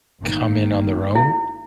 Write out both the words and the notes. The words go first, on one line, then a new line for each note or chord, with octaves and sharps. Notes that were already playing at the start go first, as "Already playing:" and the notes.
come in on their own,
G1 D#3 A#3
E4